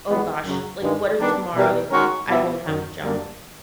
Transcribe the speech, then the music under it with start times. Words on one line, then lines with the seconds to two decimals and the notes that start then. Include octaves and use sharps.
oh gosh, like, what if tomorrow, I won't have a job?
0.09 E3 G#3 B3
0.45 F#2 C#3 F#3
0.81 G2 D#3 G#3
1.18 D#3 G3 B3 D4
1.55 B2 G3 A#3
1.91 D#3 G#3 C#4 F#4 A#4
2.28 B2 G3 B3 E4
2.64 F#2 D#3 F#3
3.00 F#2 D3 G3 A#3 D4